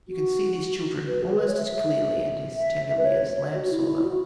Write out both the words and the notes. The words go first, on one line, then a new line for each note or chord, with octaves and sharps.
You can see these children almost as clearly and as tenderly as Lamb saw them.
F#4
B4
F#4
G#4
B4
C#5
E5
E5
B4
C#5
C#5
F#4
E4
E4
F#4